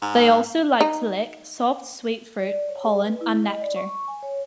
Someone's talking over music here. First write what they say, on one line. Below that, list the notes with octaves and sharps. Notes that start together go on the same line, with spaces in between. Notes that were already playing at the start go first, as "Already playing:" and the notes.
They also like to lick soft, sweet fruit, pollen and nectar.
G#2
D#4
D5
C#5
G#4
B4
E4
D#5
D5
C#6
G#5
C#5